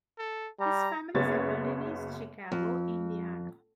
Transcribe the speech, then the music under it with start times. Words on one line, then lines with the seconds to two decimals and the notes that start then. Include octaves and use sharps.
His family settled in East Chicago, Indiana.
0.19 A4
0.60 G3 A#5
1.15 F#1 F#2 C#3 B3 C#5 A6
2.52 F2